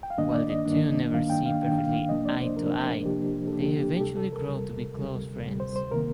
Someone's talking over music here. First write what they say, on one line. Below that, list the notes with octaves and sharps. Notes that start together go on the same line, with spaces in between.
While the two never see perfectly eye-to-eye, they eventually grow to be close friends.
G5
F5
G2 D#3 A#3 D4 D#5
D5
D#5
G2 D#3 A#3 D4
G2 D#3 A#3 D4 F5
G5
F5
G2 D#3 A#3 D4 G5
F5
F5
C3 F3 A#3 D4 D#5
D5
C5
C3 F3 A#3 D4 A#4
C3 F3 A#3 D4 G4
A4
C3 F3 A#3 D4 G4
G4
G4
D2 C3 G3 A4
A4
A#4
D2 C3 G3
D2 C3 G3
D2 C3 G3
C5
C5
C3 D#3 A#3 A#4